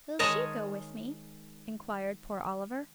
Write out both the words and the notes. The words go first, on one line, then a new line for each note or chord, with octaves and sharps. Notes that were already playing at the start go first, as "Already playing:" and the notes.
'Will she go with me?' inquired poor Oliver.
D#3 G#3 C#5 D#5 G#5 A5